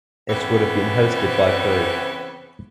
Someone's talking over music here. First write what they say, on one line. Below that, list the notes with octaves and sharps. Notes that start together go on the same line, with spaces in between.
It would have been hosted by Peru.
C#3 E3 B3 C4